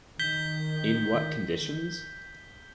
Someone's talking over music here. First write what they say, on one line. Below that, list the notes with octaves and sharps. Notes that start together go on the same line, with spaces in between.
In what conditions?
D#3 G6 B6 G7